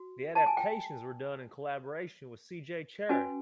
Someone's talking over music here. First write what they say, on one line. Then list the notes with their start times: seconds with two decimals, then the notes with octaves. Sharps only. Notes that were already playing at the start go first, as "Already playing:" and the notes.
The adaptations were done in collaboration with C. J. Cherryh.
Already playing: F#4
0.35 A5
0.46 G#5
0.57 G5
3.09 C#4 F#4 B4 G#5